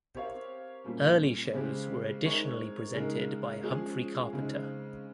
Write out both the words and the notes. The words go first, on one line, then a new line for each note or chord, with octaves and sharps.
Early shows were additionally presented by Humphrey Carpenter.
C4 G4 A#4 C#5 F5
A#2 G3 A#3 C#4
C#3 G#3 C4 G4
G#3 C4 D#4 A#4 C#5
C#3 G#3 D#4 A#4
F3 G#3 C#4 G#4
C#3 G#3 C4 D#4